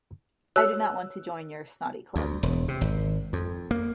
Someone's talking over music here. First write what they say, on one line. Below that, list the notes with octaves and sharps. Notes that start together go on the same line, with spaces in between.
I do not want to join your snotty club.
C#5 E6
D2
E1
C3
G#1
F2
A#3